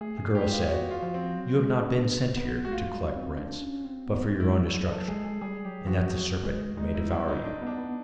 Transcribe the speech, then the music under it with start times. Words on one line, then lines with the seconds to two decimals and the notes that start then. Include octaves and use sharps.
The girl said: 'You have not been sent here to collect rents, but for your own destruction, and that the serpent may devour you.'
0.01 A3 G#4
0.17 G#4
0.35 G#3 G4
0.51 F4
0.69 F#4
0.91 F4
1.02 F3
1.14 C4
1.36 F#3
1.59 G#3
1.81 D4
2.37 B3
2.65 G#3 F#4
2.72 A3 F4
2.95 G3
3.16 C4
3.39 D4
3.61 C#4
3.84 C4
4.06 B3
4.24 C4
4.40 G#3 E4
4.58 G3
4.74 F#3
4.91 A4
5.08 G#3 G#4
5.24 G#4
5.41 G3 G#4
5.65 F#3 G4
5.87 F3 F#4
6.10 F#3
6.43 G#3
6.77 G#3 D#4
6.95 E4
7.11 G3 E4
7.28 D#4
7.44 D4
7.62 B3 D4
7.78 B3